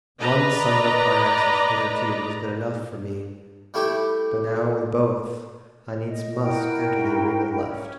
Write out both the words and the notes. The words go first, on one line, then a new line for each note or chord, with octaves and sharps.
One summit of Parnassus hitherto Has been enough for me, but now with both I needs must enter the arena left.
B4 D5 D#5 A#5
G3 A3 E4 G4
D#5
E4 F#4 A#4 G5
C#4